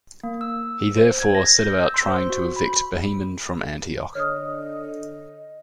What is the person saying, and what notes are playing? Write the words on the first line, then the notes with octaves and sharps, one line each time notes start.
He therefore set about trying to evict Bohemond from Antioch.
A#3
E6
C5
G#6
A#6
G6
E6
C6
C5
F#4
B5
D3 C#5 D#5 D#6 F6